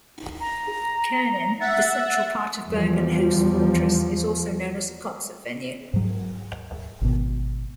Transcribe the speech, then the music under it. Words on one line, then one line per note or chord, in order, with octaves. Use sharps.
Koengen, the central part of Bergenhus Fortress is also known as a concert venue.
A#5
E5 F#5 A6
E2 F3 G3
G#2 F#3
G#1 B2